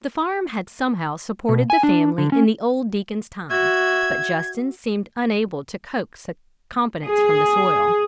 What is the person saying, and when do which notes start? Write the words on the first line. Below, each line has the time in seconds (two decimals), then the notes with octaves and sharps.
The farm had somehow supported the family in the old Deacon's time, but Justin seemed unable to coax a competence from the soil.
1.49 B2
1.70 G#5
1.83 D4
2.18 D3
2.32 C#4
3.50 F#4 E5 G#6
7.06 G#4